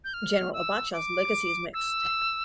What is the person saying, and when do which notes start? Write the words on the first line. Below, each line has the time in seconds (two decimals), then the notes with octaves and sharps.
General Abacha's legacy is mixed.
0.04 G6
0.14 F6
0.53 E6
0.93 D6
1.74 E6